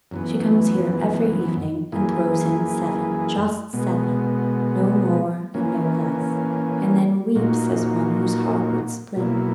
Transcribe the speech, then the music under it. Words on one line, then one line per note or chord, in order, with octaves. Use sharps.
She comes here every evening and throws in seven--just seven, no more and no less--and then weeps as one whose heart would split.
F#2 E3 B3
F#2 E3 A#3 E4 G#4
B2 G#3 B3
E3 A#3 C#4
A#2 A#3 D#4 F#4
B2 F#3 A#3 E4